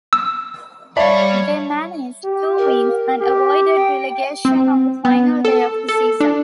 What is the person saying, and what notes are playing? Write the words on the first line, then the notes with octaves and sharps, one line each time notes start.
They managed two wins and avoided relegation on the final day of the season.
E6
G3 C#5 D5 E5 F5 A5 B5
G4
A#4
G4
G5
C4
B3
A4
A4
D4